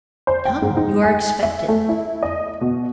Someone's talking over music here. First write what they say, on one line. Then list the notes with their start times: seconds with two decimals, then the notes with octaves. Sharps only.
"Come, you are expected!"
0.27 C5
0.45 G5
0.62 G#2
0.77 D#4
1.03 G#5
1.43 E5
1.68 A3
1.89 E4
2.23 D#5
2.61 B2